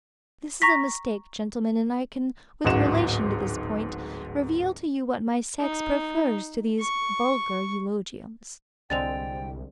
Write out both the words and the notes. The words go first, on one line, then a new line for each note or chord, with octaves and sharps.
This is a mistake, gentlemen, and I can with relation to this point, reveal to you what my sex prefers to these vulgar eulogiums.
A#5 C#6 A#6 B6
D1 A1 G#2 F#4 E7
D#4
C#6
C2 D3 G#3 C4 G5 A6 F7